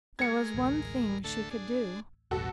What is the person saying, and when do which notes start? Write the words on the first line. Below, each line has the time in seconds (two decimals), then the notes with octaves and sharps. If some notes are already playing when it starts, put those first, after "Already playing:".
There was one thing she could do.
0.19 G#3 A#4 G#6 C#7
0.55 A1 D2
1.24 D3 A3 A4
1.51 D4 G#4
2.31 E1 A1 G2 B2 F#4 A4